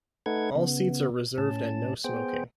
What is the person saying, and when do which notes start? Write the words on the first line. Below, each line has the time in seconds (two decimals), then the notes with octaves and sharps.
All seats are reserved and no-smoking.
0.26 A3 D#4 A4 B4 F#5 G#6
0.56 C#3 B3
1.38 A2 C#4 A5
2.04 B3 G#4 C5 G5